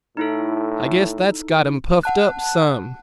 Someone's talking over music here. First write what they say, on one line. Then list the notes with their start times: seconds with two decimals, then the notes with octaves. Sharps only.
"I guess that's got him puffed up some."
0.17 A2 D#4 E4 A4
2.03 F#5 A5 F#6